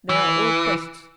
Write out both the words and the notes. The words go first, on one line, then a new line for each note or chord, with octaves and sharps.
They are all pests.
E3